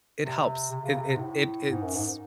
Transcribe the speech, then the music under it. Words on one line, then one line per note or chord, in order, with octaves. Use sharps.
it helps. It it it it's
C3
C3
C#3
C3
C3
G#2
A2
G#2
F#2
G#2